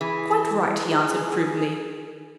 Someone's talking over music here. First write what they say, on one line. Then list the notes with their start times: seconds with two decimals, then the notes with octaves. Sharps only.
'Quite right,' he answered, approvingly.
0.01 E3 G#4